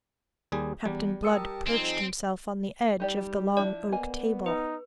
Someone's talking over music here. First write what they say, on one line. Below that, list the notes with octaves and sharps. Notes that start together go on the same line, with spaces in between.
Captain Blood perched himself on the edge of the long oak table.
D#2 G3 G#4
E2 G3
G4 A#4 A5 D#6 E6 C#7
F2 C4 D#4 G#5
G3 D#4 G4 D5
F3 D4 E4 D5
A#3 B3 D#5 G#5
D#4 B4